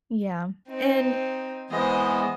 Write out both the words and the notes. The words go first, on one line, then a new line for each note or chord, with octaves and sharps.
Yeah, and
C4 D#4
E3 G#3 B3 C5 D#5